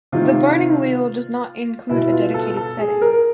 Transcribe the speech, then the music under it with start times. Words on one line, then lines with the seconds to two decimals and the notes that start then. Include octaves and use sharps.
"The Burning Wheel" does not include a dedicated setting.
0.12 C3 D#3 F4
1.90 B2 E4
2.12 F4
2.34 A4
2.57 A4
2.79 G#4
3.02 A#4